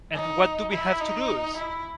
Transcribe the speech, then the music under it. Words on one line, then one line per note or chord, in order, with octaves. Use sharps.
And what do we have to lose?
D#4
E4
D#4
E4